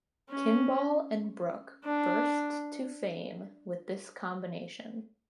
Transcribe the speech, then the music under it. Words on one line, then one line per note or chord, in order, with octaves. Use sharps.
Kimball and Brooke "burst to fame" with this combination.
C#4
D4